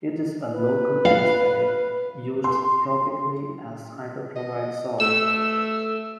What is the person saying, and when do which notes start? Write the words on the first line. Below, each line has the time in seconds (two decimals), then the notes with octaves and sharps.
It is a local anesthetic, used topically as the hydrochloride salt.
0.52 B4
1.05 F5
2.44 C6
4.36 D#5
5.00 A3 E6